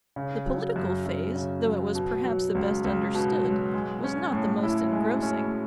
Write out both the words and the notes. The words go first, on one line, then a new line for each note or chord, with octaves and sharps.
The political phase, though it was perhaps the best understood, was not the most engrossing.
C#3
F#3
F#2
F#2
C#3
F#3
B2
F#3
C#2
C#2
B2
F#3
G#3
C#4
A2
E4
G#3
C#4